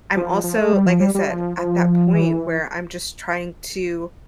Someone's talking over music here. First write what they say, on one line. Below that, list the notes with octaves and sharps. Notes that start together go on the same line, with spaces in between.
I'm also like I said, at that point where I'm just trying to
F3
F3
A3
G3
F3
G3
G3
F3
F3
E3